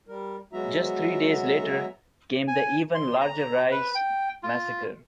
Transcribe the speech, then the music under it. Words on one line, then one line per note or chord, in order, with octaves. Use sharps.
Just three days later came the even larger Rais massacre.
G3 A#4
F#3 G#3 B3 F#4 E5 A#5
G#5
C6
A#5
B4
G5
F4